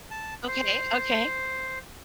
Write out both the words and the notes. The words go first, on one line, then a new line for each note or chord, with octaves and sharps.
Okay, okay.
A5
C5